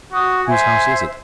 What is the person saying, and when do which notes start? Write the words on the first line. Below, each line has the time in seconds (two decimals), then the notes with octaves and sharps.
"Whose house is it?"
0.12 F#4 D#6
0.48 C5 E5 G#5